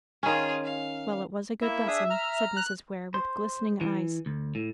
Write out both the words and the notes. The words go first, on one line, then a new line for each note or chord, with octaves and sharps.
"Well, it was a good lesson," said Mrs. Ware, with glistening eyes.
D#3 C#4 F4 G#4
F5
A#3 E4 E5
D4 G#4 E5 D#6
A#5 F6
F#6
C5
E3
D2
A2